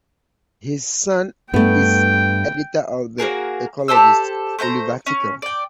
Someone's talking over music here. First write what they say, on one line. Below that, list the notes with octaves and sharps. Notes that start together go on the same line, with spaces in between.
His son is editor of the Ecologist, Oliver Tickell.
G2 A3 B3 G5
A#3 F#4 G#4 A#4
G4 A4 C5 E6
A3 C5 F#5 A#5
C#4
D5 G5